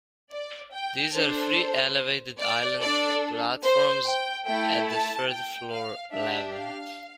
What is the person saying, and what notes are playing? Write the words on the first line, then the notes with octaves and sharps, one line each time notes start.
These are three elevated island platforms at the third-floor level.
D5
G5
D4 A4 C5
D5
D4 A4 D5
C5
G5
A3 E4 A4 G5
A5
G5
F5
D4 G4 E5
F5